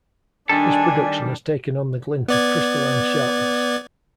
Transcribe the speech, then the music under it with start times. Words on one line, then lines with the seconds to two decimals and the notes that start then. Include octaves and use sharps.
This production has taken on the glint of crystalline sharpness.
0.49 D#3 G3 D4 A4 G#5
2.28 B3 D5 G#6